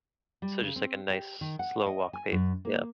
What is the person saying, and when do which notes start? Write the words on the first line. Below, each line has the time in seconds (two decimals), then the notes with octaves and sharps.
So just, like, a nice slow walk pace, yeah.
0.42 G3
0.63 C#3
0.76 C4
1.10 G4
1.41 D#3
1.59 F#5
1.86 D#5
2.13 G#5
2.32 F#2
2.65 A#3